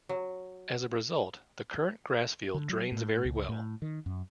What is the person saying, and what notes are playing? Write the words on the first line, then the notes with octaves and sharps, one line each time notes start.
As a result, the current grass field drains very well.
F#3
D3
F#3
A2
C#2
A2
D#3
F#2